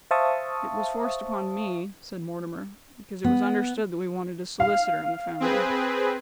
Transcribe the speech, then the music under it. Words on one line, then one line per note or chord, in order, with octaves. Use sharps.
'It was forced upon me,' said Mortimer, 'because it was understood that we wanted a solicitor in the family.
C5 E5 F5 A5 C#6 D#6
B3
F5
C4 G#4 B4